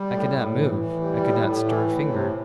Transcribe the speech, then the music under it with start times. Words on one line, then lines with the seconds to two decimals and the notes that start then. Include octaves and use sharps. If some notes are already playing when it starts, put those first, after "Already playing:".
I could not move; I could not stir a finger.
Already playing: G3
0.11 A2
0.33 A2
0.54 E3
0.77 E3
1.00 G3
1.21 A2
1.44 A2
1.65 E3
1.88 A2
2.09 C3